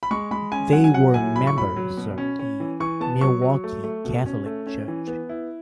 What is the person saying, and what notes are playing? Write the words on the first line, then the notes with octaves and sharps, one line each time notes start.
They were members of the Milwaukee Catholic Church.
B5
G#3 C#6
G#3 B5
C#4 G#5
F#3 F#5
G#5
F#3 F#5
A2 G#5
F#3 B5
C#6
F#3 B5
F#3
B2
C#4
C#4
E3
E3 C#6
B3 A5
F#3 C#6
F#3
A3
A3
B2
C#4
A3
C#4
E3
B3
E4